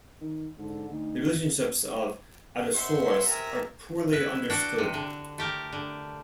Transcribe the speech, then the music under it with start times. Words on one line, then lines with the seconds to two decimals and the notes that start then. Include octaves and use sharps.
The relationships of "Adasaurus" are poorly understood.
0.21 D#3
0.58 G#2 D3
0.91 D2 D#4
2.75 F#2 B2 C5 E5 F#5 C6
3.26 C3 A#4 E5 G#5 A#5
4.13 E4 B4
4.50 D4 F#4 G5
4.78 C3
4.94 D3
5.38 A3 G4 A#4
5.73 D3